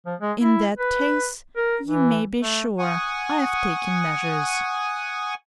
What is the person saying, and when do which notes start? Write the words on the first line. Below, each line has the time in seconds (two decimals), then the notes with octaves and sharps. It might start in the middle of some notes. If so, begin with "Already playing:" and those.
In that case you may be sure I've taken measures.
0.06 F3
0.21 G#3
0.39 E4
0.78 B4
1.56 A#4
1.87 E3
2.41 A3
2.79 F#5 G#5 C#6 D#6